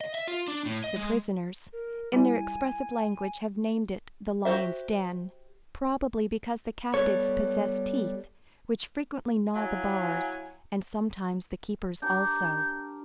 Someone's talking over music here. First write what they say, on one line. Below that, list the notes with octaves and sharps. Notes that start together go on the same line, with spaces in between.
The prisoners, in their expressive language, have named it the "Lions' Den," probably because the captives possess teeth which frequently gnaw the bars, and sometimes the keepers also.
D#5
E5
F4
D4
A2
D#5
G#3
A#4
G3 E4 G#5
F#4 G4 C5 E5
G3 B3 A4 C#5
F#3 E4 F5 G#5
D4 G4 A#4 G6